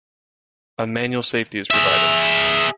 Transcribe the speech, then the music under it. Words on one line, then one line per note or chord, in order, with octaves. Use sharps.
A manual safety is provided.
G#4 E5